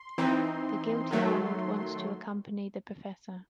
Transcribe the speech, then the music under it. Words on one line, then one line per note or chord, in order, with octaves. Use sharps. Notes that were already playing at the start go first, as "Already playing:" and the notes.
The guilty Arnold wants to accompany the professor.
Already playing: C6
E3 C4 D#4
D#3 F#3 A3